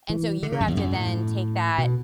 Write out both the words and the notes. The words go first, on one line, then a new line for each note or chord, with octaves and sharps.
and so you have to then take that
E3
D3
C#3
F#2
E2
F#2
A2
B2